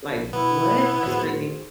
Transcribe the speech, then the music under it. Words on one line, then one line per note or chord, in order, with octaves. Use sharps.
like, "What? That's crazy,"
B1
B2 B3 E4
A2 F#4 G#4 C5